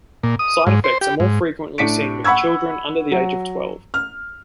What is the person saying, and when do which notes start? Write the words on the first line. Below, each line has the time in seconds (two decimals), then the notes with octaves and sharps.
Side effects are more frequently seen with children under the age of twelve.
0.23 A#2
0.39 D#6
0.67 G#2
0.84 C5
1.01 G4
1.20 G#2
1.78 A2 D4 B6 C#7 D7
2.24 F#5 B5 C#6 E6 G#6
3.12 F#3
3.94 F6